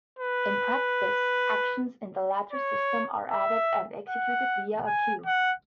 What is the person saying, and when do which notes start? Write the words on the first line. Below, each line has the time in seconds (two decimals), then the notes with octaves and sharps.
In practice, actions in the latter system are added and executed via a queue.
0.19 B4
2.53 C#5
3.31 E5
4.09 F#5
4.87 G#5
5.26 F#5